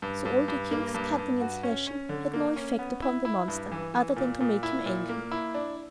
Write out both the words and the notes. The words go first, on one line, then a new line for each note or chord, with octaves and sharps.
So all the King's cutting and slashing had no effect upon the monster other than to make him angry.
G2
G2
G2
A#3
G2
G2
F#4
C#4
C#4
D3
A#3
C#4
B3
E4
E4
G2
E3
E3
A#2
A#2
E4
A#2
A#3
E4
D4